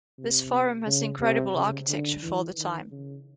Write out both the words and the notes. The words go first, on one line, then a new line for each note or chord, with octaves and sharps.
This forum has incredible architecture for the time.
C3
C#3
C3
C#3
D3
E3
D#3
C#3